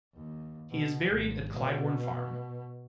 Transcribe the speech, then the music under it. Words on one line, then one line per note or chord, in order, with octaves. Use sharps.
He is buried at Claiborne Farm.
D#2
B2
G#1
B2